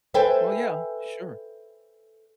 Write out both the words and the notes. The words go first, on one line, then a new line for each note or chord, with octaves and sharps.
Well, yeah, sure.
A4 B4 C5 E5 G5 G#5